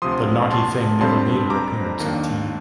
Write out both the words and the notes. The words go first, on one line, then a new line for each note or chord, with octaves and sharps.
The naughty thing never made her appearance at tea.
D2 C3 F3 C6 D#6
A5 C6
F2 D3 G3 C4 A5 C6
A#5 D6
D#2 D#3 A#3 D4